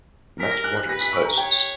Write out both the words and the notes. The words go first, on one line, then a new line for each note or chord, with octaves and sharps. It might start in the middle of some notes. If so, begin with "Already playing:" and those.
Matt Rogers hosts.
A#4 B6
A#6
F#6
F#6
B4 A#6
B6
C#6
A#5
C#5 G5